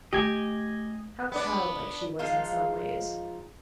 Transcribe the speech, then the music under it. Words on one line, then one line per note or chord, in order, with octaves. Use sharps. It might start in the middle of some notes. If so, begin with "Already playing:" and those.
How childlike she was in some ways!
A3 G4 D#5 G#5
B3 D4 D5
F3 G#3 D#4 F4